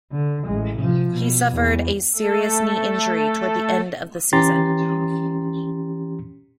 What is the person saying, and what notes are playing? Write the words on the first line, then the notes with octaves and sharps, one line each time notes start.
He suffered a serious knee injury towards the end of the season.
D3
A1 G#3
C3 F3
B2
E2
A3 A4
E3 C#4 G4 A#5 C6 A6